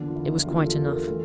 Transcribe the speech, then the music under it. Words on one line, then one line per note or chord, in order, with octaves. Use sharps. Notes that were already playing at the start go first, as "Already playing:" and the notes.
It was quite enough.
Already playing: E2 D3 F3 A#3 D4
F4
E4
F4
E2 D3 F3 A#3 G4
A4
A#4
E3 A3